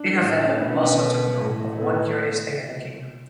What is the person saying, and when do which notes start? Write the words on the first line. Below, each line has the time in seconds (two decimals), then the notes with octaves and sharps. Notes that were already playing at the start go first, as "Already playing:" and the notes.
Pigafetta also took note of one curious thing in the kingdom.
Already playing: D4
0.20 A2
0.44 C#4
0.53 D4
0.61 B2 E4
0.75 D4
0.88 C#4
1.42 A2
1.78 A3
1.81 B3